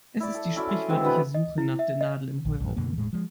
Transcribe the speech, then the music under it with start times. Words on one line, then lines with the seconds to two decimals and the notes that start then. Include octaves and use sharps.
Es ist die sprichwörtliche Suche nach der Nadel im Heuhaufen.
0.20 E4 D5
0.35 A4
0.56 C#4 E4 F#4 D5
0.69 G#5 C6
0.89 D3 E3 G#3 C4
1.04 B2 B3 D4 B4
1.34 D#5
1.58 E4
1.79 E5
2.01 D#5
2.45 A#1
2.60 A#1 F#2
2.76 F#2 B2 D3 A#3
2.97 E1 A2 G#3
3.13 F3 G#3